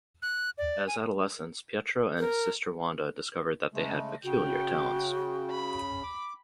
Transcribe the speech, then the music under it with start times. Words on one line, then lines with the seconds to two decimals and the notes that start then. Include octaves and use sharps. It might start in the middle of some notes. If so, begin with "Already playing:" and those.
As adolescents Pietro and his sister Wanda discovered that they had peculiar talents.
0.22 F#6
0.58 D5
0.88 G#5
2.19 A#4
3.74 C#3 G#3 A3
4.24 C#3 F#4 G5
5.51 B5
6.03 D6